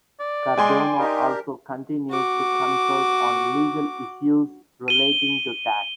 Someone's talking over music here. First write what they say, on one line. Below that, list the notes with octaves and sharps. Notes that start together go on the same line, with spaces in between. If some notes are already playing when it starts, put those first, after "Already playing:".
Cardona also continues to consult on legal issues relating to tax.
D5
G#3 G5 G#5 C6
D4 D#4 G4 A#4
F#4 D6
D#7 G7